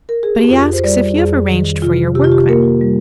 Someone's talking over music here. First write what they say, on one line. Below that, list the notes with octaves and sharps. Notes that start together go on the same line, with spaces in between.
But he asks if you have arranged for your workmen.
A#4
G#4
G4
F2 F4
C5
G3 D5
F2 G#4
D#3
C3 F4
C3 G4
F4
G4
A#3 A#4
G3